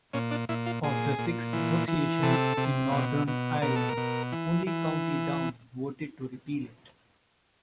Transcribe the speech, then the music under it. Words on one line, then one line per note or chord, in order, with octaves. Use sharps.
Of the six associations in Northern Ireland, only County Down voted to repeal it.
A#2 C#4
D4
A#2 E4
F4
A#2 G#4
A#2
E3
E3
C3 A4
C3
B2
B2
B2 A#4
A4
A#4
B2
E3
E3